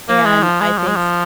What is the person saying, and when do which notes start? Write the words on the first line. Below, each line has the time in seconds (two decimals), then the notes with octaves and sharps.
and I think f
0.09 A#3
0.25 G#3
0.43 F3
0.61 G#3
0.78 F3
0.87 G#3
0.96 F3